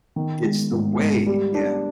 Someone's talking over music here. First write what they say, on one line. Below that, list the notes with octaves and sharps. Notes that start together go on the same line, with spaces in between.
it's the way, yeah.
D#3
G#3
G#2
G#2
G3
D4